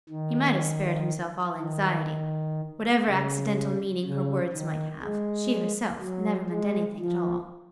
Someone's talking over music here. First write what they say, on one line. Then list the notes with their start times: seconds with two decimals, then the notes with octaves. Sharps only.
He might have spared himself all anxiety: whatever accidental meaning her words might have, she herself never meant anything at all.
0.10 D#3
1.58 D#3
3.05 C#3
4.04 C#3
4.53 D#3
5.03 G#3
6.01 F#3
6.50 G#3
6.99 F3